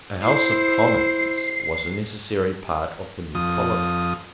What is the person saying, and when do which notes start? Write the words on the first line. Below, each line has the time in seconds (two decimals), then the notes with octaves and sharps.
A House of Commons was a necessary part of the new polity.
0.21 E4 C5 C7
3.35 F2 D#6